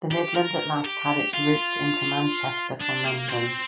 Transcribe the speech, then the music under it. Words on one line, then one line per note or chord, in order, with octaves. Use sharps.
The Midland at last had its route into Manchester from London.
G4
A#4
G4
F4
D4
A#3
C4